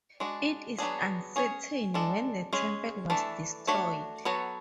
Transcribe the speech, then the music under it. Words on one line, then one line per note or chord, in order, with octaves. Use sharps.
It is uncertain when the temple was destroyed.
G#3 D4 F#4
F#3 B3 D4 G#4
C#4 G#4 C#5
G#3 D4 A4
G#3 C#4 G#4
E3 A3 D4 A4
A3 D4 F#4 C#5
F#3 B3 F#4 A4 C#5